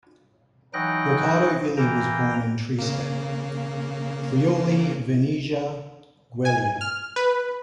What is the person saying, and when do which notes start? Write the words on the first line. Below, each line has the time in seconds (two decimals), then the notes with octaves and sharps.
Riccardo Illy was born in Trieste, Friuli-Venezia Giulia.
0.74 E3 F#3 D#4 G5 F#6 A#6
1.77 E3 A#3 G5 A#5
2.79 C#3 A#3
6.45 G#5
6.81 F6
7.16 B4